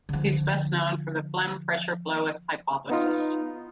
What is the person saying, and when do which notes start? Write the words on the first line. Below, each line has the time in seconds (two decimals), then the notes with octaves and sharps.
He is best known for the phloem pressure flow hypothesis.
0.09 D3 F3
2.90 B3 D#4 F4